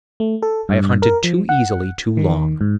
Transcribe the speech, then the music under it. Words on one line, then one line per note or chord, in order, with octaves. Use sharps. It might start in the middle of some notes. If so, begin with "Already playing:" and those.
I have hunted too easily too long.
A3
A4
G2
A#4
F3
F#5
D#3
G#2